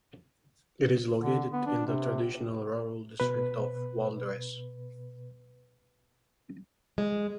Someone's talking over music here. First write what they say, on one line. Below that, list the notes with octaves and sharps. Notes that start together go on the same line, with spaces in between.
It is located in the traditional rural district of Valdres.
D3
B3
D4
C3
B2 B4
G#3